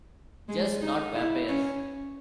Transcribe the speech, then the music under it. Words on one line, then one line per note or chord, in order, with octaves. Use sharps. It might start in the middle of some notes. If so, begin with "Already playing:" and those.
Just not vampires.
G#3
D#4
E4
C#4